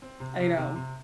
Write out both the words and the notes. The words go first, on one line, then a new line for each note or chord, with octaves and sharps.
I know.
C4
C3
C3
C3
C3